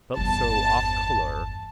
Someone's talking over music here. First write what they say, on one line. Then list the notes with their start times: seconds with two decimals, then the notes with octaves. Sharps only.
Felt so off colour.
0.17 G1 E2 A5